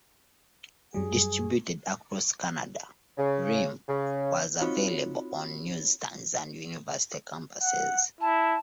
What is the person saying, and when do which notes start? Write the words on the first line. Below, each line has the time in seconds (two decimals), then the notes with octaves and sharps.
Distributed across Canada, "Realm" was available on newsstands and university campuses.
0.94 F#2 F#3 G3 G#4
3.18 C#3
3.88 C#3
4.61 C4 D#4 F4 F#4 C#5 B5
7.62 F#5
8.21 E4 A5